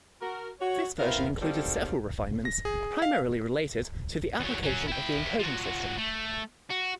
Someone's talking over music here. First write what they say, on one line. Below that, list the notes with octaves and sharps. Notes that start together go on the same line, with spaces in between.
This version included several refinements, primarily related to the application of the encoding system.
F#4 A#4
F#4 C#5
B3 C4 E4 A#4 B4 F5
D#3 F#3 G3 C4 F4 A4
A#6
G#4
F5
E2 F#3
F#3 C#4
E4 G5
F3 F#4
A3
F#4